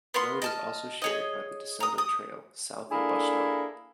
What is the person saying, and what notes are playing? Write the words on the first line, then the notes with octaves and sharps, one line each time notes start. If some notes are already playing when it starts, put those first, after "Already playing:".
The road is also shared by the DeSoto Trail south of Bushnell.
B3 A#4 F#5 C6
D#5 A5 F6
G#4 C#5 D#5
A#5 D#6
D#6
A#3 D4 E4 G#4 A4